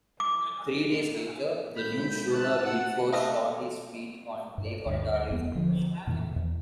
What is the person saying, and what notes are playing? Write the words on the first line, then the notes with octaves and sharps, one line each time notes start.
Three days later, the new schooner reinforced Chauncey's fleet on Lake Ontario.
D6
G#1 B5 G6
A5 F#6
F#5
A3 D#5 F5
G2
D2 G2
D1 E2 F#3 B3
D3 F3
F2 A#2 D#3 E3
E2